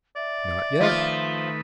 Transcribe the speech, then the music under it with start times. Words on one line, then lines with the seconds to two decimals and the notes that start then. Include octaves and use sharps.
"Not yet."
0.16 D5 E5
0.81 D#3 F3 A3 F4 B4